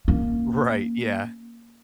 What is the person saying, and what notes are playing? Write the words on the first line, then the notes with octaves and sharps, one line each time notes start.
Right, yeah,
A#3 C#4